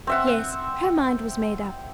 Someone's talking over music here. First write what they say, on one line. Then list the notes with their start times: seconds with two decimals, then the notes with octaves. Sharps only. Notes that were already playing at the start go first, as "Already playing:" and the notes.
Yes; her mind was made up.
0.07 C4 E5 F#5